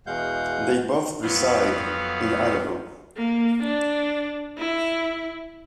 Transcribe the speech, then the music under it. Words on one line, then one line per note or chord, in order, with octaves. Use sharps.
They both reside in Idaho.
E2 B2 G#3 F5 F#5 G6
F2 F#3 B3 F5
A#3
D4
E4